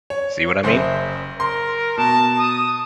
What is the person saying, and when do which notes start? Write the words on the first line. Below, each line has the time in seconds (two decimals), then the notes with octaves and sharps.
See what I mean?
0.10 C#5
0.63 F#1 C5 E5
1.40 A#4 C6
1.97 B2 A5
2.39 D#6